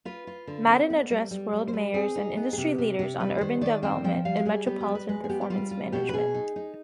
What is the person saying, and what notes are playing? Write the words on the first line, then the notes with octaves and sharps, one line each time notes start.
Madden addressed world mayors and industry leaders on urban development and Metropolitan Performance Management.
F4 B4
F4
D3
C4
B3
G3
G3
G3
C5
G3 B4
C4 G#4
D#4
B3
G#4
C3 G4
C3
C3 G4
G3 B4
D#3 C5
D#3 D5
C4 G5
F3 G5
G3 F5
G4
G3 G#4
B3 G4
G4
G3
B4
G#3 B4
G#4
B3 G4
G4
G3 F4
F4
B2 G4
B4
B2 G#4
D#4
D#4